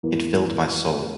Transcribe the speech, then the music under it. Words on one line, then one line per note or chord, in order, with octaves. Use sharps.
It filled my soul.
E2 E3 A#3